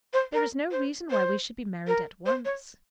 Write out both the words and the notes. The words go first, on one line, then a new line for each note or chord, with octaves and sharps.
"There is no reason why we should be married at once."
C5
A#4
C5
C5
A#4
C5
C#5